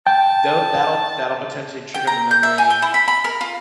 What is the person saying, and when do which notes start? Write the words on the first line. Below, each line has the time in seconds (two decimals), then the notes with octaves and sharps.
though that'll that'll potentially trigger the memory,
0.07 G5 A5
1.94 G5
2.07 A#5
2.31 G6
2.43 E5
2.58 G#5
2.70 G5
2.82 E4
2.94 B5
3.08 B5
3.24 A#4
3.41 F4